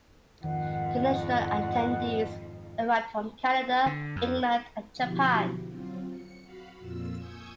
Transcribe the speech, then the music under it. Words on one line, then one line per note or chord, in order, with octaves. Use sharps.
International attendees arrived from Canada, England and Japan.
F2 G#2 D#3 F#5
D3
F2
B2 D3 F3 E4 F#4 G4
F#3 C4 F4
C#7
F#4 F5 B5
F2 A#2 F4 E6
G#5 C#6 D#6 E6 G6 G#6